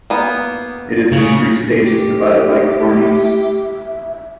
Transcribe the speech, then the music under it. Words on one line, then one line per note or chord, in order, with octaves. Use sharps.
It is in three stages divided by cornices.
A#3 B3
C#3
G4
E5